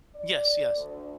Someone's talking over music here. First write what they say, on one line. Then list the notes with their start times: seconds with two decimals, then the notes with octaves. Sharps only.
Yes. Yes.
0.15 D5
0.75 D2